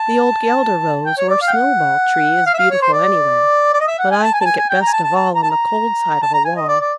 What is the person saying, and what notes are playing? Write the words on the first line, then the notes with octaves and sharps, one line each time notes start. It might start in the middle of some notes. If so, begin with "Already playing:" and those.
The old Guelder Rose or Snowball-tree is beautiful anywhere, but I think it best of all on the cold side of a wall.
Already playing: A5
G5
C#5
D5
F5
G5
F#5
F5
E5
F5
C#5
C5
D5
D5
D#5
E5
F#5
G#5
A5
G#5
A5
G#5
G#5
G5
A#5
G#5
A5
A5
A5
A#5
A5
A#5
A5
A#5
G#5
D#5
D5
D5